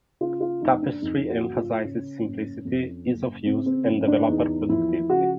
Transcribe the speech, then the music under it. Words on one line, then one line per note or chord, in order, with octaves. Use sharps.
Tapestry emphasizes simplicity, ease of use, and developer productivity.
C#3 F4
F4
F#1 D#4
D4
F2 D#4
F#4
F#1
F4
C#3 C#4
F#1
F2
F#1
C#3 C4
C4
F#1 C#4
D4
E2 D#4
F3 E4
C#3 F#4